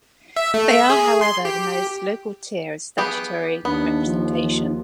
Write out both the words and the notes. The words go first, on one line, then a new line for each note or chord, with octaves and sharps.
They are however the most local tier of statutory representation.
E5
A3
E5
G#4
C6
G4
B3 G4 G#4
D#2 B3 D4
F3